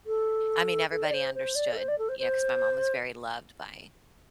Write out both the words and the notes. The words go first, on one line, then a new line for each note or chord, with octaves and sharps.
I mean, everybody understood, you know, because my mom was very loved by
A4
A4
D5
C5
C5
D5
A4
C5
D5
A4
C5
C5